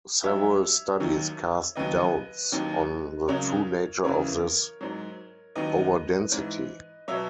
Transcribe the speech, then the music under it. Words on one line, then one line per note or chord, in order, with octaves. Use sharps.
Several studies cast doubts on the true nature of this overdensity.
G#2 F#3 C#5 E5
D#2 D#3 F#3
D#2 C#3 F#3 B4 D#5
D#2 D#3 F#3
C#2 C#3 F#3 A#4 C#5
F#2 C#3 E3 A#4 C#5
G#2 F#3
D#2 D#3 F#3 B4 D#5
G#2 E3
B2 F#3 C#5 E5